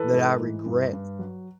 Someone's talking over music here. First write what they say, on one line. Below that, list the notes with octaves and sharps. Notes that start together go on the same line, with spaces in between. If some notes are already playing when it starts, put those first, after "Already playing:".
that I regret."
Already playing: E3 A4 B4
G#2
E3
G2
G2
F#3